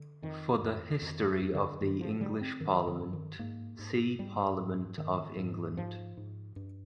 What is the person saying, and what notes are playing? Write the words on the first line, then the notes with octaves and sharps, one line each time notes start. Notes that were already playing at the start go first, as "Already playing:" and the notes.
For the history of the English Parliament, see Parliament of England.
Already playing: D3
F2 D#3
F2
F2 D#3
F2
D3
G2 D#3
F3
D3 G3
C4
G2 D#3
D3
G2
D#3
G#2 A#3
G#2
G#2 G3
G#2
G#2 D#3
G#2
G#2 F3
G#2
G2